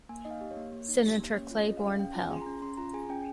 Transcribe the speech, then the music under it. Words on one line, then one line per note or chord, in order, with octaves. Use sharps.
Senator Claiborne Pell.
A#3 G#5
D#4 D#5
F5
G4
C#5
A#3
A#3
D#4
G4
A#3
C#4 C#5
F4
D#5
G#4
F5
C#4
C#4 G5
F4
G#5
G#4
C6
C#4 A#5
C#4 C6
F4 A#5
G#4 G#5
C#4 G5